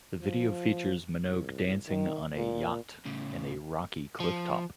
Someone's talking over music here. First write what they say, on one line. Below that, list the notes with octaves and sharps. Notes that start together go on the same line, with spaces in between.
The video features Minogue dancing on a yacht and a rocky cliff top.
F3
C2
D#3
A#2
A2 C#3
F3